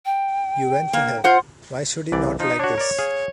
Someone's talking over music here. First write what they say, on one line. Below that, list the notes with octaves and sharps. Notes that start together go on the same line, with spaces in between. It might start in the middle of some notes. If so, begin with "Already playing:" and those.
You went to help. Why should he not like this?
G5
A#3
F4 C5 F#5
C2 E3 D5
F3 D#4
D4 F#4 C#5
A#4 D5
G#4 F5